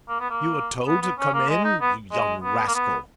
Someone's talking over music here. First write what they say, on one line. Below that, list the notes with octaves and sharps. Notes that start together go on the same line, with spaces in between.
"You are told to come in, you young rascal."
A#3
B3
A#3
B3
B3
C#4
A#3
G#3
D#4
B3
G#3
B3
A#3
B3